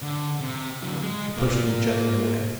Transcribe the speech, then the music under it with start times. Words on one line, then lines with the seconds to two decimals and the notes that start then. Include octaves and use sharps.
She pushed me gently away.
0.02 D3
0.41 C3
0.82 D3 F#3
1.03 G#3
1.37 A#3 F4